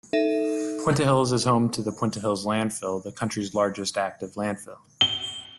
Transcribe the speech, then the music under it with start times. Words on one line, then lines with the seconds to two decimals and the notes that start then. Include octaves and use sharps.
Puente Hills is home to the Puente Hills Landfill, the country's largest active landfill.
0.13 D#4 A4 E5
5.01 G7